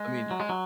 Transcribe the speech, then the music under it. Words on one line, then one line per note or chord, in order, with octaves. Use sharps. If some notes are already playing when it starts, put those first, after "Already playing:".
I mean
Already playing: G#3
F#3
G#3
F#3